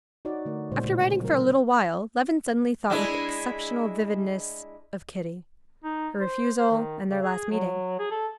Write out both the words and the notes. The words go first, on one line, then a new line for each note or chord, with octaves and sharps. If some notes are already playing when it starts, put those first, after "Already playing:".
After writing for a little while, Levin suddenly thought with exceptional vividness of Kitty, her refusal, and their last meeting.
D#4 F#4 C#5 D5
D3 A3 A#4
A#2 C#3 G#3 C5
B2
F#3 A#4
G#3 D4 E4
D#4
C5
C5
D#3
C#3
G#4
F#3
G#4
A4